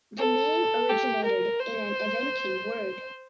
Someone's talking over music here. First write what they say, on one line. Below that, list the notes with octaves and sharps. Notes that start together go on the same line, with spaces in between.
The name originated in an Evenki word.
A4
G4
A#4
C5